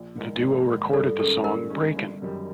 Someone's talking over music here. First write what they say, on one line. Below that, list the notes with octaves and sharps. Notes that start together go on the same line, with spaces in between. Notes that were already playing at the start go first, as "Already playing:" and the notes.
The duo recorded the song Breakin'...
Already playing: A#1
G#2 D#3
A#1
G#2 D#3
G2 A4
D#3 G#3 C#4 A4
G2 A#4
D#3 G#3 C#4
G1
F#2 D#3 G3